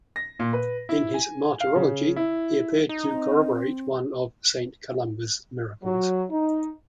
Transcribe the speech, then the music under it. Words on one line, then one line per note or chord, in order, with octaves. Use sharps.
In his martyrology, he appeared to corroborate one of Saint Columba's miracles.
A#6
A#2
B4
E4
G#5
F5
C#3
E4
D#4
C4
F#3
D#4